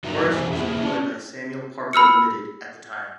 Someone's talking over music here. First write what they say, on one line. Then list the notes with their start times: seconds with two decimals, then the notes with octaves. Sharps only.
Horace was employed by Samuel Parker Ltd at the time.
0.04 F#2 D#4 F#4 A#4 E5 A#5
0.31 E2 B2 G4 C5 G#5
0.53 A#3 E4 G#4 E5
0.81 C#4 D4
1.93 B5 E6 F6 C#7